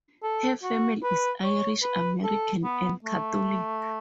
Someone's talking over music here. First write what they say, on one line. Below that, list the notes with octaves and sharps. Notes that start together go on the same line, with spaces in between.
Her family is Irish American and Catholic.
A4
F#4
B4
C#5
B4
A4
B3
A3